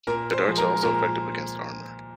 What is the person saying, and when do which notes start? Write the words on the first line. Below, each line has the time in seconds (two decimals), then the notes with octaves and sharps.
The darts are also effective against armour.
0.07 A#2 A#4 A#5
0.32 C5 C6
0.45 F3 G#3
0.58 A#4 A#5
0.82 A#2 A#4 A#5